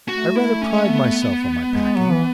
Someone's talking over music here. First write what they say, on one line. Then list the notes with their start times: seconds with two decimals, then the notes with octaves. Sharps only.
I rather pride myself on my packing.
0.08 A3 F#4
0.36 E4
0.62 C#4
0.89 B3
1.69 G#3
1.96 F#3
2.13 E3